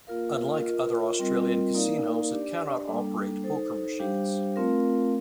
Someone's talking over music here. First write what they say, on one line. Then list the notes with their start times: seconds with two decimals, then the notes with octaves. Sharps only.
Unlike other Australian casinos, it cannot operate poker machines.
0.07 A#3 F4 A#4 F5
0.63 F4 A#4 D#5
1.19 G3 C4 F4 A#4 D#5
1.75 A#3 D#4 A#4 D5 F5
2.31 D4 G4 D5
2.87 G3 A#3 D4 A4
3.44 D#4 A4 C5
3.99 G3 D4 G4 C5 F5
4.56 A3 C4 F4 A#4 F5